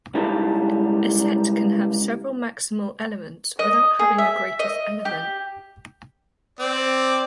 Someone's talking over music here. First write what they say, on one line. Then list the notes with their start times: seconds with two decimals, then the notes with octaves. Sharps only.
A set can have several maximal elements without having a greatest element.
0.15 C#3 G3 G#3 D#4 E4 A5
3.59 D#5
3.99 G#4
4.18 E5
4.59 D#5
5.05 G4
6.59 C4 D5